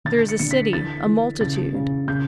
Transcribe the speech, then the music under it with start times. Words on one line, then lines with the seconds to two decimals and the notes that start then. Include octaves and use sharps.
There is a city, a multitude--.
0.05 D3 A6
0.29 C#7
0.39 D3 C#7
0.51 B6
0.72 E3 A6
1.06 E3
1.41 C#3 A6
1.74 C#3
2.08 C#3 G6